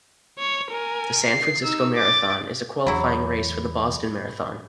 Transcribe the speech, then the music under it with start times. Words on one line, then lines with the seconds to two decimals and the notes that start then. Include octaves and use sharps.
The San Francisco Marathon is a qualifying race for the Boston Marathon.
0.39 C#5
0.71 A#4 G#5
1.24 C7
1.64 D#4 E6
1.96 D6 A6
2.87 E2 F#3 E4 B5